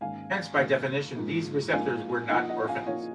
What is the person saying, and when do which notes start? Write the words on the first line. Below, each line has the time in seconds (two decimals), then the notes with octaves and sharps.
Hence by definition, these receptors were not orphans.
0.01 G#2 D#3 A#3 C#4 F5 G#5
0.58 G#2 D#3 A#3 C#4
1.16 G#2 F3 A#3 D#4
1.72 G#2 F3 A#3 D#4 F5 G#5
2.29 A#2 F3 A#3 D#4 D#5 F#5
2.49 D#5 F#5
2.68 F5 G#5
2.87 A#2 F3 A#3 D#4 C#5 F5